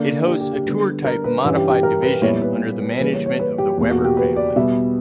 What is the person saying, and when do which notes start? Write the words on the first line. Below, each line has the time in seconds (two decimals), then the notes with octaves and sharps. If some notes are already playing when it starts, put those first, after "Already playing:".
It hosts a tour-type modified division under the management of the Webber family.
Already playing: D3 A#3 D4
0.27 G4
0.40 G4
0.53 G4
0.66 D3 G3 B3 D4
1.04 A#4
1.24 B4
1.44 G2 E3 G3 C#4 B4
1.57 G4
1.70 G4
1.83 A#4
2.03 B4
2.22 A#2 G3 B3 E4 C#5
2.42 B4
3.00 C#3 E3 G3 A#3 B4
3.13 C#5
3.26 C#5
3.39 B4
3.58 G4
3.78 E2 B2 A#3 G4
3.91 F#4
4.04 G4
4.17 B4
4.36 D5
4.56 B2 G3 B3 E5